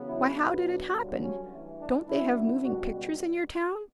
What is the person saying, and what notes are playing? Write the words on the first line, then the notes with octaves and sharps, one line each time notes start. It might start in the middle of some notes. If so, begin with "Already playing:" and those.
"Why, how did it happen? Don't they have moving pictures in your town?"
Already playing: E2 C#3 F#3 B3
C#4 E4
B2 F#3 B3
D4
G2 D3 F#3
C#4
G2 E3 A3
D4
F#2 D3 A3 C#4 E4
C#2 B2 G3 D4 F#4